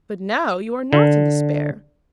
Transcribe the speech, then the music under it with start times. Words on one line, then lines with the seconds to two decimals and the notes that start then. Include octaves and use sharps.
"But now you are not in despair."
0.93 D3